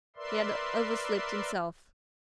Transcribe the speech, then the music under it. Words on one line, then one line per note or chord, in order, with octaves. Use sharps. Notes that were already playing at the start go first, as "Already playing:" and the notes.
He had overslept himself!
A#4 B4 D5 E5 C6